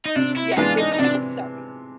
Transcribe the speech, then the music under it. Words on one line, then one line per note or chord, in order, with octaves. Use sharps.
Yeah, you're right, I'm sorry.
D#4
C3 D4
E4
F#4
E3 G#3 B3 D4 F4
D#4
D#4
C3 D4